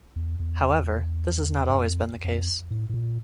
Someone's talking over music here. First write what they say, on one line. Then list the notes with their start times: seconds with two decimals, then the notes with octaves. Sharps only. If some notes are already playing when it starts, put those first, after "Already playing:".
However, this has not always been the case.
0.16 E2
0.40 E2
1.70 G2
1.79 F2
2.24 F2
2.71 A2
2.90 A2
2.94 A#2